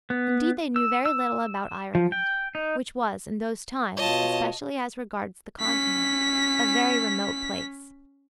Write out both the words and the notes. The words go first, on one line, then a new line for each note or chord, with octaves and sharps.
Indeed they knew very little about Ireland, which was, in those times, especially as regards the Continent, a very remote place.
B3
E6
E6
F3
G5
D#4
B2 F4 C#5 D#5 A5
C#4 B6